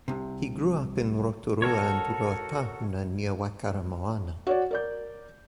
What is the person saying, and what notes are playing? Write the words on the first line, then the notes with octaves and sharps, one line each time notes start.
He grew up in Rotorua and in Ruatahuna near Waikaremoana.
C2 C3
F#4 A4 A#4 C#5
F#4 C#5 D5
A#4 D5 G6